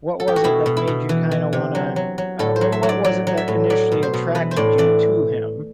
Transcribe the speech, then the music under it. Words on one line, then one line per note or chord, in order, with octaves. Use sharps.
What was it that made you kinda wanna, uh, wh wha what was it that initially attracted you to him?
A4
G4
F#4
B2 E4
B2
E4
B2
E3
E3
C3
F#3
F#3
F#3
A2 A4
C5
F#3
E5
F#3
D5
F#3 D5
F#3
E5
A2
F#3 D5
B2
C5
B2
E3 B4
C5
A2 D5
E3 D5